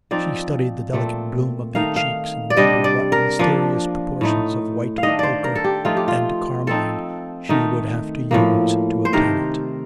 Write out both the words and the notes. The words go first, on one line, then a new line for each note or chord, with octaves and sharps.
She studied the delicate bloom of their cheeks, and wondered what mysterious proportions of white, ochre, and carmine she would have to use to obtain it.
F3 C4 D#4 D5
A#2 A3 C4
D#3 A3 D#4 F5
F5
D5
C3 G3 D4 D#5
D5
A#4
F3 A#3 D4
A2 A3 D#4
F5
D#3 A3 D4 D#5
C5 D5
A#4
A4
G4
F3 A3 D#4 F4
G4
F4
F3 C4 D#4 A4
D#3 A3 D#4
A2 F3 A#3
C5
C3 D#3 A3 A#4